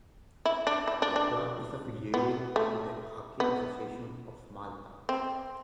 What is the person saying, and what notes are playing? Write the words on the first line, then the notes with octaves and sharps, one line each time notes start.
The club is affiliated to the Hockey Association of Malta.
E4
D4
E4
D4
D4
B3
A3
B3
C4